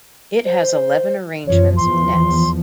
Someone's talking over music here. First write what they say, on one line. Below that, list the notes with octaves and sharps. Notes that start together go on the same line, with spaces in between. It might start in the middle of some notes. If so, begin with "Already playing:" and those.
It has eleven arrangements of nets.
C5
F#2 F3 C#5
E2 F3 C6